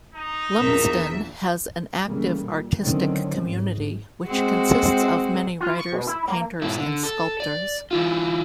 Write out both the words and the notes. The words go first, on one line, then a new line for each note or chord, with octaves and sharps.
Lumsden has an active artistic community, which consists of many writers, painters and sculptors.
D#4 A#5
A#1 E2 A#4 E5
C#3 E3 G3 A3 A#3
A#2
D3 D#3 F#3 A3 C4 C#4
G#2
G#3 C4 F#4
F4
C#6
B2
E4
A#3
G#2 B2 E4
D3
A4
D5
E3 E4 F4